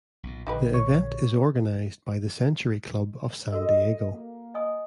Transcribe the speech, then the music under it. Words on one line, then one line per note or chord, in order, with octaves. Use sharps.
The event is organized by The Century Club of San Diego.
B1 A#2
A#1 D3 D#4 G4 B4
C#5
F#4 A4 A#4 D#5
A#3
D#5 G#5 D#6